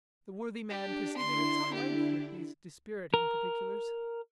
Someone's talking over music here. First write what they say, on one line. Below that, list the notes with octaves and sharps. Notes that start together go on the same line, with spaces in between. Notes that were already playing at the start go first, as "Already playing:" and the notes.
The worthy man proceeded at some length with these dispiriting particulars.
D4 G4
D3 D4 E4 C6
G4
A#4